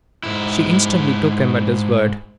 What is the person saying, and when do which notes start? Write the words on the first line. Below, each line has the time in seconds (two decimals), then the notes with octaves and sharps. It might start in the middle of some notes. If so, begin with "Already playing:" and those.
She instantly took him at his word.
0.23 G#2 E4